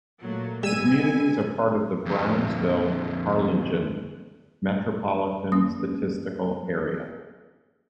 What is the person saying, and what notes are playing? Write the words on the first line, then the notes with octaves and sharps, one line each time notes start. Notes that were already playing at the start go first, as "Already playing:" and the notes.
The communities are part of the Brownsville-Harlingen Metropolitan Statistical Area.
A#2 F#3 A3 A#3
G3 G#3 B3 G#5 E6 D#7
F2 D3
A#3 C#4 D#6